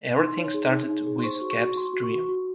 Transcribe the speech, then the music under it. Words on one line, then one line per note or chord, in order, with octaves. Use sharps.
Everything started with Cap’s dream.
D#4 C6
C#5
G#4
D#4
D#4
G#4
C6
C5 C#6
F#4
C#6
F#4
F#4 C6
F#4
C#6
F#4
F#4